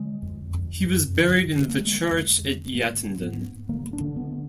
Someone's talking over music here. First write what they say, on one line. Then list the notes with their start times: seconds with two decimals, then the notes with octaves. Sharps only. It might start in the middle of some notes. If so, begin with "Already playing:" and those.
He was buried in the church at Yattendon.
Already playing: D3 G#3
0.22 F2
0.54 F2
0.86 F#2
1.17 D3
1.48 D3
1.68 A#3
1.80 D3 G#3
2.12 F2
2.44 D3
2.74 G#2 A#3
3.06 G#2
3.22 B3
3.37 G#2
3.69 D3 A#3
3.93 D4
4.01 D3
4.16 B3